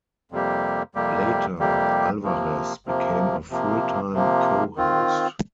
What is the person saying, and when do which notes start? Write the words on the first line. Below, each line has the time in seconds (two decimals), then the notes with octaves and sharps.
Later, Alvarez became a full-time co-host.
0.32 F2 C3 G3 A#3 G4
0.95 F2 C3 G3 A#3 G4
1.59 F2 C3 G3 A#3 G4
2.23 C3 F3 A#3
2.86 C3 F3 A#3
3.50 C3 F3 A#3
4.13 C3 F3 A#3
4.76 D#3 C4 F4